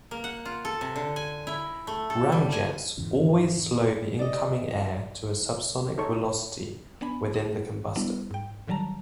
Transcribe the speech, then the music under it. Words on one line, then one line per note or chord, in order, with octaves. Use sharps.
Ramjets always slow the incoming air to a subsonic velocity within the combustor.
A#3
F#5
F4
A4
C3
D3
G#5
E4
A3
A4
G3
G#5
E2 G#2 C#3 E3
D5 D#5
D#4 A4 C#5 C#6
B3 D4 G#5 B5
G#4
G3 B3 D4 E4
G#2 G5
A2 D#3 F#3 G3 A5 A#5